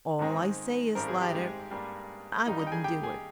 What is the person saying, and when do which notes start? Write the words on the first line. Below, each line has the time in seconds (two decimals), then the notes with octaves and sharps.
All I say is, Slider, I wouldn't do it.'
0.19 G#2 D#3 G#3 C4
0.95 G#1 G#2 G3 C4 A#4
1.08 G#4
1.22 G4
1.35 G#3 G#4
1.71 G2 G3 A#3
2.46 D#2 D#3 G3 A#3 D#4 D#5
2.59 D#4 D#5
2.67 G5
2.72 G#4 G#5
2.84 G4 G5
3.03 G#4 G#5